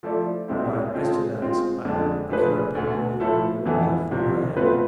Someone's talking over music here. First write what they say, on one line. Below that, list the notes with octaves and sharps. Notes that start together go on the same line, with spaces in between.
"Why, as to that--I--I cannot be more your--your wife than I am."
F3 A3 E4 A4 D5
C2 B2 G#3 C4 E4
G#3 C4 F4 A4
G#3 C4 F4
F2 D3 G#3 D4 A4
F3 A3 D4 G#4 B4
D2 D3 A3
A2 F3 A3 E4 A4
F2 E3 B3 E4
C2 C3 F3
B2 A3 C4 F4 B4